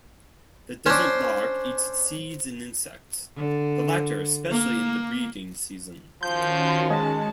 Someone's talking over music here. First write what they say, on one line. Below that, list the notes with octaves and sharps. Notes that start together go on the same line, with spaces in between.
The desert lark eats seeds and insects, the latter especially in the breeding season.
C#4 D4 C5
D3
A#3
D#3 F3 C#4 F#4 C6 G6
G#3 A5